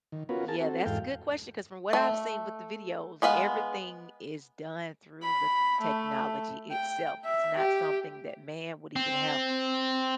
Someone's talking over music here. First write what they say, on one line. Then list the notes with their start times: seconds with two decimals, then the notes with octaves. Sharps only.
Yeah, that's a good question 'cause from what I've seen with the videos, everything is done through the technology itself. It's not something that man would even have,
0.12 D#3
0.29 B3 C#4 F4 F#4 A#4 B4
0.48 G#4 A#4 A5
0.61 C4 F#4 A4
0.86 E2 G#2 A4 F5 G5
1.93 A3
3.22 G#3 B3 B4 F5
5.22 B5
5.81 A3
6.71 G5
7.25 E5
7.57 G4
8.96 C4